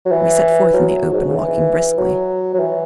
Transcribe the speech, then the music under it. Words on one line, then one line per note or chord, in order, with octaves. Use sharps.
We set forth in the open, walking briskly.
F#3
E3
F#3
G#2
B2
C#3
E3
F#3
F#3
E3